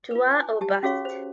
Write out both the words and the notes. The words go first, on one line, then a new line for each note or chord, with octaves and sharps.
Tuva or Bust!
F4 B4
G#5
G4 A5
C#4 F#4 G#4 C#5 F5 C#6
C5